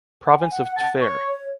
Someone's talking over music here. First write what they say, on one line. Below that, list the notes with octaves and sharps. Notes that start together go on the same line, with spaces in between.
Province of Tver’.
F#5
G#5
F#5
F#5
F#5 A5
C#5
C#5